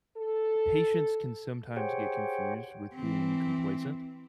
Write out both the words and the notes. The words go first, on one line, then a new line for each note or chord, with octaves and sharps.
patience can sometimes get confused with being complacent,
A4
G4 G#4 C5 C#5 F#5 G5
E3 C4